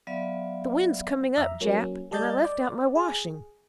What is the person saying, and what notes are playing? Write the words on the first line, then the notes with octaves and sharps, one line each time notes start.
"The wind's coming up, Jap, and I left out my washing."
F#3 B3 D5 E5 F5
F2 E5 A#5
F#3 A#3 C#4
G3 A4 D5 D#5 G6 A6
D5
G#4